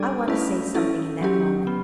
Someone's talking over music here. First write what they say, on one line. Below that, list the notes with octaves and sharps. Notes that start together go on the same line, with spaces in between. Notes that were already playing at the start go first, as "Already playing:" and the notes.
I want to say something in that moment.
Already playing: G3 D4 A4 D5
A3 C#4 E4 B4
C#4 E4 A4
F#3 C#4 G4
B3